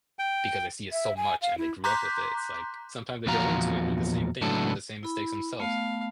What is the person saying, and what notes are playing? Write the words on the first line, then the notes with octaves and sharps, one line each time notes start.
because they see it so much and they grew up with it, it's like sometimes they grow into it and do the same thing, the same mistakes themselves.
G5
E5
G#5
F5
E4
A#5 C6 D6 F#6 G6 B6
E2 A#2 F3 F#4 F5 A#5
C#2 A2 F#3 B3 D4 A4
E4 B5
A3 B3 F5